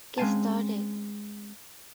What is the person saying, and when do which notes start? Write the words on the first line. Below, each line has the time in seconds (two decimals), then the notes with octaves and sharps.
Get Started!
0.18 G#3 C4 C#4 F5 G#5 A5